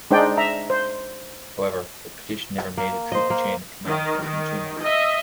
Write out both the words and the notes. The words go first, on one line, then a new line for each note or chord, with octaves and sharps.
However, the petition never made it through the chain of command to President Truman.
G#3 D4 D#4 C5 D5 G5
E5 A#5
C5
A#3
C5 D#5
A#3
D#3
D#3
D#5 E5